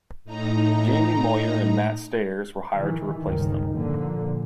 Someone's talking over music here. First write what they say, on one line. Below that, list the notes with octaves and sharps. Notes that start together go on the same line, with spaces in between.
Jamie Moyer and Matt Stairs were hired to replace them.
A2 D#4 A#5
D#3 E3
G1 C#2 D#3
A#2 D3 F3 A#3